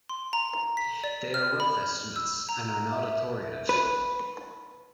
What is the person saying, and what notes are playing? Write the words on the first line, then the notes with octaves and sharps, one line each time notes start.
They are rough estimates and are not authoritative.
C6
A#5
B6
D5
F6
B5
E6
A#5
E5
B4